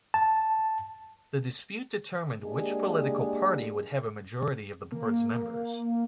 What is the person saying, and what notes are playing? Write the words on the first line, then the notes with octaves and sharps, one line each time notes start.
The dispute determined which political party would have a majority of the board's members.
A5
G#3 A#3 D4 G4 G#4
A#3